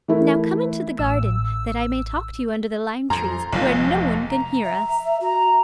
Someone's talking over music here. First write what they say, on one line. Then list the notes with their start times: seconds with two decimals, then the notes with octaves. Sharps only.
Now come into the garden, that I may talk to you under the lime trees, where no one can hear us.'
0.08 E3 A3 E4 A#4
0.99 A1 E6
3.10 F2 A#5 C6
3.53 F1 B1 F2 F3
4.30 A#5
4.65 E5
5.21 F#4 A#5